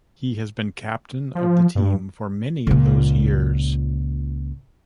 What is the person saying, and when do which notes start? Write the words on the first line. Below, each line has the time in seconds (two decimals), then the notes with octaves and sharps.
He has been captain of the team for many of those years.
1.35 F3
1.75 G2
2.67 C#2 A#2